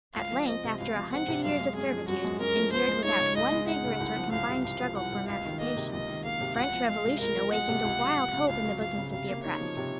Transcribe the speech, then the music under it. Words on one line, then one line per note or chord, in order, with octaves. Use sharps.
At length, after a hundred years of servitude, endured without one vigorous or combined struggle for emancipation, the French revolution awakened a wild hope in the bosoms of the oppressed.
C#2 F5
F3
C4 D#5
C3
C#2 F5
F3
C4 F#5
C3
F#2 F5
G#3
C#4 G#4
F3
F#2 F#4
G#3
C#4 A#4
F3
C#2 C5
G#3
D#4 C#5
C#3
C#2 D#5
G#3
D#4 F#5
C#3
C2
F3
C2 F5
C3
C2 F5
F3
C2 F#5
C3
C#2 F5
D#3
A#3 D#5
C3
C#2 D#5
D#3
A#3 F5
C3
C#2 F#5
F3
G#3 F5
C3
C#2 A#4
F3
G#3 F#5
C3
C#2
F#3
C#2
C#3
C#2 F5
F#3
C#2 F5
C#3
C3 F5
A#3
D#4 C#5
F3
C3